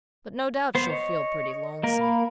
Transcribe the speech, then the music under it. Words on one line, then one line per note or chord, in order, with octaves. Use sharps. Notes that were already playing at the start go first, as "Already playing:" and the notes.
But no doubt she'll feel pretty lonesome.
B3 C5
C#5 D#5
A#3 A#4
B5